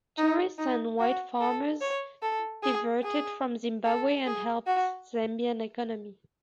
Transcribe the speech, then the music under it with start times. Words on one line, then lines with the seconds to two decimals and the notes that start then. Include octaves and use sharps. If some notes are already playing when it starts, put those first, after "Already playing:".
Tourists and white farmers diverted from Zimbabwe and helped Zambian economy.
0.18 D#4
0.58 D#4
0.99 F#4
1.40 A4
1.81 C#5
2.22 A4
2.63 G#4
3.03 G#4
3.85 A4
4.26 G#4
4.67 F#4